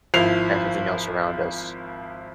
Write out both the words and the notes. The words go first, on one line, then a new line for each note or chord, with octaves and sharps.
everything else around us.
G#1 F3 E4 C7 F7